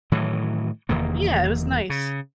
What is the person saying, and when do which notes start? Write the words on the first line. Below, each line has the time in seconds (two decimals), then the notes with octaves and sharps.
Yeah, it was nice.
0.12 A2 D#3 E3 F#3
0.89 F1 E2 D#3 A#3
1.90 C#3